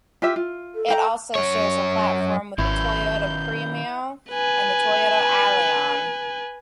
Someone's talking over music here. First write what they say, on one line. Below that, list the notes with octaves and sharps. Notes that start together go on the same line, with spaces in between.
It also shares a platform with the Toyota Premio and the Toyota Allion.
F4 G4 E5
F4
A4
F5 G5 A#5
F#2 C#5
G#1 D#3 C#4 E4 B4 G6
B4 G#5